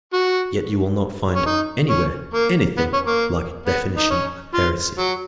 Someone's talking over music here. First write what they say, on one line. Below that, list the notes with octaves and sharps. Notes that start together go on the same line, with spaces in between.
Yet you will not find anywhere anything like a definition of heresy.
F#4
C#4
D#4
C#4
A#3
B3
C#4
A#3
B3
D#4
C#4
F4
F#3